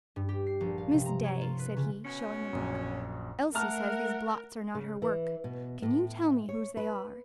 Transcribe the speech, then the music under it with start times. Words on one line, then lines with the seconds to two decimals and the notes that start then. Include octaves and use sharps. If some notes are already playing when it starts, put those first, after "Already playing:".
"Miss Day," said he, showing the book, "Elsie says these blots are not her work; can you tell me whose they are?"
0.16 G2
0.29 G4
0.47 C7
0.61 A#1
0.78 F5
0.93 C3
1.06 A#5
1.24 C#5
1.41 F4
1.60 B4
1.76 C#3
2.05 B2 C#4
2.53 A#1 F#2
3.55 A3 A#4 F#5 A5 A#5 F6
4.75 C#3
5.02 E3
5.44 B2
5.82 A2
6.49 C#5
6.77 B4